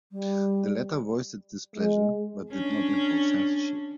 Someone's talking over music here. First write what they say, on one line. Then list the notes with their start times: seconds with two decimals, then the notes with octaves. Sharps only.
The latter voiced its displeasure, but did not impose censorship.
0.12 G3
1.76 G#3
2.52 C#4 D4